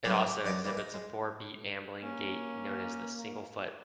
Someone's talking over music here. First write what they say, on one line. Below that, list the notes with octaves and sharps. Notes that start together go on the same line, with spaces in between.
It also exhibits a four-beat ambling gait known as the "single-foot".
C#3 E3 F#3 G3 A#3
G4
F#2 D5 D#5 A5 A#5
E3 G3 A#3
D#4
G#3
A#3 C#4